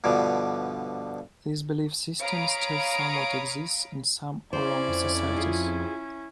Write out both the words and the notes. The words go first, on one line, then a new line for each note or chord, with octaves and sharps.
This belief system still somewhat exists in some Oromo societies.
G2 B2 D3 F3
C#5 F5 A#5 B5 D#6 D7
C#4 E4 C5 D5
F2
F4 G#4